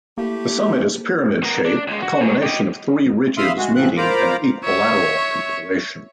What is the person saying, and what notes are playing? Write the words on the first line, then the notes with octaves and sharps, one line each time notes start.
The summit is pyramid-shaped, the culmination of three ridges meeting in an equilateral configuration.
A3 A#3 E4 G4
B3 A#4
D4
C#2 G#3
F#4
A2 F#3
G4 D#5
E5 F5 B5 C6 D#6
G#3 F#4
A2 E3 F3 C4 F#6
F4 A#4 C5 A#5 B5 D6
C#5 E5